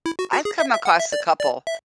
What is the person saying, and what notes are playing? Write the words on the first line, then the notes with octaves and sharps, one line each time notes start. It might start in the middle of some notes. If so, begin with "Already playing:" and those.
I've come across a couple,
E4
F#4
F#4
G#4
E5
E5
F#5
E5
D5
D5
E5